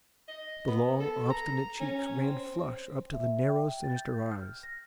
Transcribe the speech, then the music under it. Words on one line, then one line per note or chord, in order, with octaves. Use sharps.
The long, obstinate cheeks ran flush up to the narrow, sinister eyes.
D#5
B3
A4
A#5
C#4
C4
E5
G5
A6
G6
F6
A#6